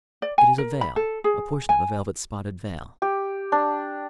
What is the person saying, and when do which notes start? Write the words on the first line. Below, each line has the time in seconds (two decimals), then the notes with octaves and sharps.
"It is a veil--a portion of a velvet-spotted veil."
0.22 D5
0.38 G#5
0.58 A#4
0.81 B5
0.96 A4
1.24 G#4
1.69 G#5
3.02 G4
3.52 D4